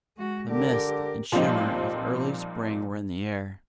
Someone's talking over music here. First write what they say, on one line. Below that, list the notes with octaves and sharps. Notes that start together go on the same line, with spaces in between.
The mist and shimmer of early spring were in the air.
G#3 F#4
D3 G4 A#4
A#2 F3 G3 C4 D#4